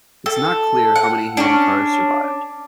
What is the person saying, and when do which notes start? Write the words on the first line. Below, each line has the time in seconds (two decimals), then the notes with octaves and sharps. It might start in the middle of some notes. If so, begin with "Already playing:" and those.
It is not clear how many handcars survived.
0.26 A4
0.96 F#5
1.37 C#4 D4